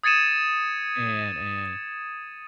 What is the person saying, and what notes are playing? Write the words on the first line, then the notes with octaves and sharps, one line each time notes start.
And and
D#6 G#6 A6 C#7 D#7 E7